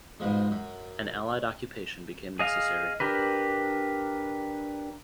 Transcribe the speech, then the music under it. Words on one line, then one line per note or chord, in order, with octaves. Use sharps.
An Allied Occupation became necessary.
G#2 B2 F3 G#3
F#2
G#4 D#5 F5
D4 G4 A#4 B4